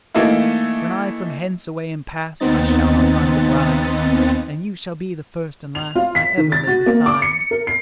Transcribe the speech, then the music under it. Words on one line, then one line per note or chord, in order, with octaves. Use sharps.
"When I from hence away am past I shall not find a bride, And you shall be the first and last I ever lay beside."
E3 A3 A#3 D#4 E4
D#2 B3 C4 D#4 A6
F7
F4
B6
D#3
A6
F#4
A#3
D6
C#7
A#4
C7